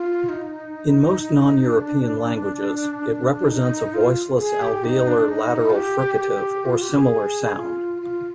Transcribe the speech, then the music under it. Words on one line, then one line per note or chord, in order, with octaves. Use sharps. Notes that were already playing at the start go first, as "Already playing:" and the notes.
In most non-European languages, it represents a voiceless alveolar lateral fricative or similar sound.
Already playing: F4
D#4
D4
D#4
F4
G#4
G4
D#4
D4
D#4
F4
G4
G4
F4
G4
G#4
F4
F4